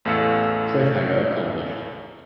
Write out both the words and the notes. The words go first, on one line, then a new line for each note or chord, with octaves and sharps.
Cliffhanger accomplished.
A1 E2 A3 F5 E6 C#7